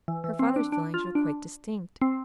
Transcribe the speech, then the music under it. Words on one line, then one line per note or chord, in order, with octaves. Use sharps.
Her father's feelings were quite distinct.
E3
E3
C4
D4
D4
F4
D4
C4